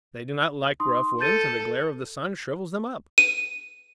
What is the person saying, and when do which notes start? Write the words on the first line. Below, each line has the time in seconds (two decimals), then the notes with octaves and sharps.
They do not like rough winds, and the glare of the sun shrivels them up.
0.80 D#4 C6 D#6
1.21 A4 G6 A6 D#7
3.18 D#7